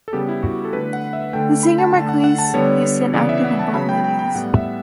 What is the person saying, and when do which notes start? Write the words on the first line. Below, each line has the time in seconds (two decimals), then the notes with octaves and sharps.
The singer Marques Houston acted in both movies.
0.08 A4
0.13 C#3 G3 B3 G4
0.29 E4
0.43 F#4
0.65 A4
0.73 D3 A3 B4
0.93 F#5
1.13 E5
1.33 D3 A3 G5
1.63 B5
1.78 A5
1.93 D3 A3 A5
2.09 F#5
2.24 F#5
2.38 A5
2.54 D3 G3 B3 C#5
3.13 C#3 E3 B3 D5
3.29 E5
3.44 F#5
3.59 A5
3.74 C#3 F#3 B3 B5
3.89 G5
4.04 G5
4.19 G5
4.35 A2 G3 B3 F#5
4.54 E5